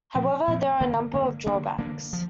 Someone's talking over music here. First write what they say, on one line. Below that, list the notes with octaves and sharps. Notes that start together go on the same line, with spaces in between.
However, there are a number of drawbacks.
A#2 F3 C4
A#2 F3 C4
G2 D3 A#3
G2 D3 A#3
D3 A#3 D4
D3 A#3 D4
F3